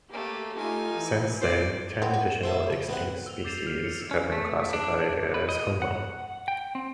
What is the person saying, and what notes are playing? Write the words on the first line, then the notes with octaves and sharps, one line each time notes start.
Since then, ten additional extinct species have been classified as "Homo".
A3 A#3 G4
A3 D#4 F4 G4 G#5
E3
C5 D5
B3 C4
F#4
C5 E5 A5
C#3 F4
B3 C4 F#5
E6 F7
D6 G6 A6 C7 E7 F7
F6
C#7 F7
C#4
A3
D4
B4
D#5
F#5
G5
C4